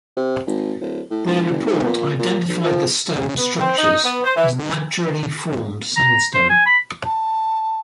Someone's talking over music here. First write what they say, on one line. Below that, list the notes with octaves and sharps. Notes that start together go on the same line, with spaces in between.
Their report identified the stone structures as naturally formed sandstone.
C3
G#1
D1
A2
E1
F#1
G#2
A#2
A#2
B1
F3
B3
C4
D#4
B3
C5
E3
A#5
C5
G#5
B5
A5